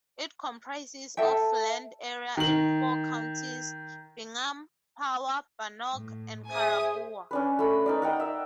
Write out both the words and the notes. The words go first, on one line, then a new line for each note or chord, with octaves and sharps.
It comprises of land area in four counties: Bingham, Power, Bannock, and Caribou.
A4 E5 G5
D#3 F#7
A2
G#4 C5 E5 G#5 D#6
C#4 D4 B4
A3 B5
D#4 A#4 D5
A#4 F#5 G5
E5